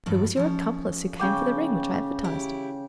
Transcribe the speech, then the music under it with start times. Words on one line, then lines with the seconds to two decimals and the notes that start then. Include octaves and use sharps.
"Who was your accomplice who came for the ring which I advertised?"
0.06 E2 G2 D5
0.37 F3 C#4
1.19 C#3 G5 D6
2.24 E4 G4